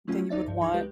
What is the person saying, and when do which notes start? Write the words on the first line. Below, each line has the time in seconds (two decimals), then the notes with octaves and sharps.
that you would want?
0.07 F3 F#3 A3 A#3 C#4 F4
0.29 D2 D#4 D5 E5 A6
0.44 C2 G2
0.60 C#2 F3 D#4 A#5 C#6 G#6
0.74 C#2 G#3 G4 B4 G6